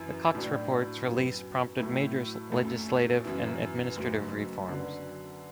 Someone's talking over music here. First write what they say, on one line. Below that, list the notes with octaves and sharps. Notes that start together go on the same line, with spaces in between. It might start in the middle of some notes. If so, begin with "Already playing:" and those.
The Cox Report's release prompted major legislative and administrative reforms.
Already playing: F#2 E3 E4
A2 F#3 D4
F#2 F#3 B3
A2 F#3 A3 E4
F#2 F#3 A3
F#2 E3 B3 E4
F#1 F#2 F#3 A3
F#2 D3 F#3 B3